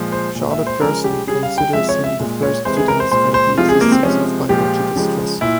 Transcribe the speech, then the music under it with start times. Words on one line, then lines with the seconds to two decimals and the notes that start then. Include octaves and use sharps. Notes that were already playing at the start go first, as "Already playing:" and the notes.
Charlotte Gerson considers him the first to demonstrate the existence of biological stress.
Already playing: A#2 F3 G#3
0.12 C5
0.35 A#2 G#3
0.51 E5
0.67 C5
0.81 C#3 F3 G#3 A#4
1.04 G4
1.27 C#3 G3 G#4
1.43 F5
1.58 G5
1.73 C3 F3 G#3 E5
1.89 C#5
2.04 E5
2.19 A#2 G#3
2.43 C#5
2.65 C3 E3 G#3 C5
2.77 G#4
2.88 A#4
3.00 C5
3.11 A#2 G#3 C5
3.34 C5
3.57 C3 F3 G#3 F4
3.69 G#4
3.81 A#3
3.92 C4
4.03 C3 F3 G#3 C#4
4.49 A#2 F3 G#3 G4
4.96 C#3 F3 G#3
5.41 A#2 E4